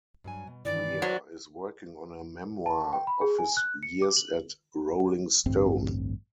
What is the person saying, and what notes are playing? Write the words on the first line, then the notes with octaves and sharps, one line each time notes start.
Weir is working on a memoir of his years at Rolling Stone.
G2 F#3 G#5
B2
G2 D#3 E3 D5
F#3 F#4 B4 C5
A5
G5
B5
G#4
G#5
F#6
C#7
D6
F#7
A1 D2 G2 C4